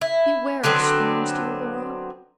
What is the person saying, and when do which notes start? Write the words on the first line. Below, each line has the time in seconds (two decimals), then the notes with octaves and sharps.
Beware of swoons Dear Laura....
0.01 E4
0.64 D3 F#3 B3 C4